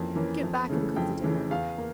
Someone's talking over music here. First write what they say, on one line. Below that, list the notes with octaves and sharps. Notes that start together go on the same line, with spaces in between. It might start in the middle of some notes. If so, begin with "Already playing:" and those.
Get back and cook the dinner.
Already playing: F2 E3 A#3 C#4
E3 A#3 C#4
F2
C#3 E3 A3
F2 G5
C#3 E3 A3
E2 F5
A#3